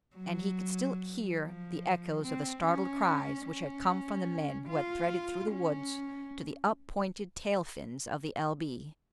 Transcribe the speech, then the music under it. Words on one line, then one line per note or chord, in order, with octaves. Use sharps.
And he could still hear the echoes of the startled cries which had come from the men who had threaded through the woods to the up-pointed tail fins of the L-B.
F#3
F3
C4
C#4
C#4
F4
C#4